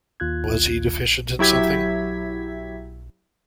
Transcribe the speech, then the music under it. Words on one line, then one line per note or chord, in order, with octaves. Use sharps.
Was he deficient in something?
D#2 F4 F#6 G#6
F#3 E4 G4 G#6 B6